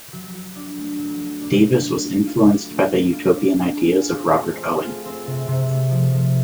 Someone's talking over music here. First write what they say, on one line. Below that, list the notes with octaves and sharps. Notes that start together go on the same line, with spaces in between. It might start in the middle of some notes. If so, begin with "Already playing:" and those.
Davis was influenced by the utopian ideas of Robert Owen.
F#3
F#4
D4
A3
F#3
F#4
D4
A3
A3
A3
F4
D4
A3
A3
F4
D4
A3
G#4
F4
C4
A3
G#4
F4
C4
C3
C3
A3
F3
C3